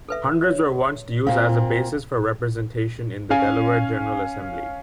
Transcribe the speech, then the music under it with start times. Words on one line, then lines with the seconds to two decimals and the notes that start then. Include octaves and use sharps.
Hundreds were once used as a basis for representation in the Delaware General Assembly.
0.09 A4 B4 E5
0.44 C#5
1.27 A#2 C4 F5
3.30 C#4 F5 G#5